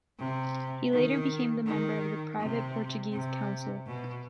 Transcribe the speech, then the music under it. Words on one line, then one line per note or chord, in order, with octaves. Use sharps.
He later became member of the private Portuguese council.
C3
D#3
D#3
C3
C3
B2